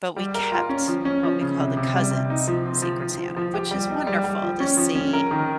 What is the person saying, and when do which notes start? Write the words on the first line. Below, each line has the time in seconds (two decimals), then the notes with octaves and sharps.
But we kept what we call the cousins' Secret Santa, which is wonderful to see
0.16 G3
0.35 A#4
0.52 F4
0.69 C#4
0.88 F3
1.05 C#4
1.23 F3
1.41 C#3
1.59 C3
1.77 C3
1.94 G3
2.11 C3
2.30 D#4
2.47 F3
2.65 C4
2.82 F3
3.00 F3
3.18 F3
3.37 F3
3.54 G4
3.71 G3
3.90 D#4
4.07 G3
4.24 G3
4.42 F3
4.60 C#4
4.77 F3
4.95 C#4
5.13 A#4
5.31 D#3